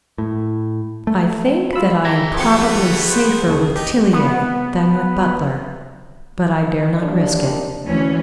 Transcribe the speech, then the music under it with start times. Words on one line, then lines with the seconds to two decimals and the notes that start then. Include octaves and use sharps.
I think that I am probably safer with Tillier than with Butler, but I dare not risk it.
0.18 A2
1.07 A3
1.73 F#3 F4 B5 E6
2.05 G#4 G5 A5 A#5 G#6 A#6
2.37 F3 A3 B3 C4 F#4 C6 A6 C#7
3.08 B4 C5
3.47 D2 C#3 C#5 A5
3.76 D#4 G4
4.13 B3
6.99 D#2 D4
7.87 D2 E3 C#4